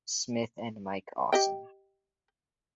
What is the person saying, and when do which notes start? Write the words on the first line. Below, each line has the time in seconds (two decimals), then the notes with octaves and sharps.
Smith and Mike Awesome.
1.33 G4 D#5 G5